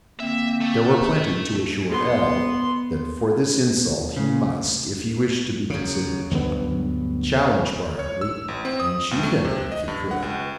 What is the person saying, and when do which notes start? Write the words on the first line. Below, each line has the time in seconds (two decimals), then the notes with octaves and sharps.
There were plenty to assure L--that for this insult he must, if he wished to be considered a gentleman, challenge Briarly, and shoot him--if he could.
0.20 D3 A#3 C4 E5
0.62 A3
1.89 B3 C6
4.16 C#3
5.70 F#2 C#3
6.31 D2 G2 F#3 B3
7.99 C#5
8.21 E6
8.48 A1
8.65 C4
8.80 D#6
9.11 C#2
9.23 A3
9.45 C3
9.72 D#5
9.88 G2
10.11 F#5
10.22 C#2